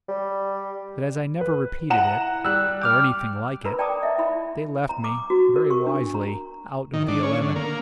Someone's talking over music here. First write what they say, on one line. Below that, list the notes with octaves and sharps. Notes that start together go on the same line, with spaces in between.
But as I never repeated it--or anything like it--they left me, very wisely, out of the eleven.
G3
B4
E4 F#5 A#5 E7
G3 E6 F#6
G5 D6 F6
D4 A#4 B4 A#5 B5
D5 G5 A5 A#5 D6 D#6
D#5 E5
E4 B5
A#5
D6
F#4
A#4
C#6
D4
A#5
D#3
D4
C#4
D3
A#3